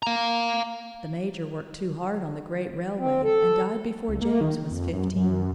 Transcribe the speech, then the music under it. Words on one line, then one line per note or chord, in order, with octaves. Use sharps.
The major worked too hard on the great railway and died before James was fifteen.
F5 A#5
C4
A4
C#2
A#3
D#3
D#3
F2
F#2
F#2